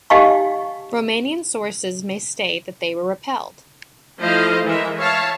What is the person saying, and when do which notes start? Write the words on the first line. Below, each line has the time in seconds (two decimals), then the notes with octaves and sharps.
Romanian sources may state that they were repelled.
0.10 D#4 G4 D#5 F5 G#5 C#6
4.20 F3 A3 E4 C5 D#5 F5
4.64 E3 G#3 A#4 E5
4.96 C#5 E5 F5 A5